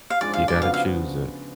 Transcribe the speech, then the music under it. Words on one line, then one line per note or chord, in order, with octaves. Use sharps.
You gotta choose it.
F5
G#2 F3 G#3 D4 F4 D5
F5
D5
C#3 F3 B3 D4 F#4 F5
F5